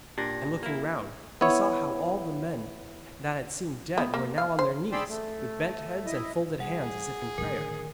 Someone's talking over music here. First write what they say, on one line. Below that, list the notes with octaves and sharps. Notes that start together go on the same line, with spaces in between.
And looking round, he saw how all the men that had seemed dead were now on their knees, with bent heads and folded hands as if in prayer.
A#2 D4 G4 A#6
A#3 E4
B3 E4 C#5
B3
A#3
F5
C5
G#4 D5 G5 B5 C6 E6
A3
E4 D#5
G3 G#4 F#5
A2 D3 D#3 A#4